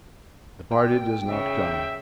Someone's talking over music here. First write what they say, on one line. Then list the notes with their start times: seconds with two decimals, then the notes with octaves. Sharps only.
The party does not come.
0.72 G5
1.29 C#3 E5